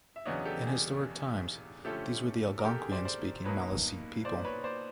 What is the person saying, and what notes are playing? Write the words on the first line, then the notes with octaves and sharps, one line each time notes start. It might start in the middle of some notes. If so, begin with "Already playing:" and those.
In historic times, these were the Algonquian-speaking Maliseet people.
E5
E2 C#3 F#3 B3 D4 C#5 D#5
G4 A4
G#4
D3 F3 A3 C#4 G4 A4
A#4
G4 A4
G#4
C5 D5
C5 D5
B2 F#3 A#3 D#4 B4 C#5
C5 D5
B4 C#5
C5 D5